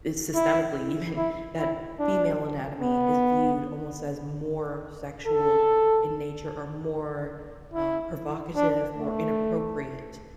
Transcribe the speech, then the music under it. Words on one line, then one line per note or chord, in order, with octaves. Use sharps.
it's systemically even, that female anatomy is viewed almost as more sexual in nature or more, uh, provocative, or inappropriate.
E4
E4
E4
D4
B3
A4
E4
D4
A3